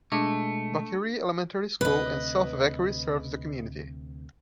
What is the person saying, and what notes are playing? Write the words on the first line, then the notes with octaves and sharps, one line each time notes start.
Vacherie Elementary School in South Vacherie serves the community.
B2 G#3 A3 D4
D2 C3 B4 D#5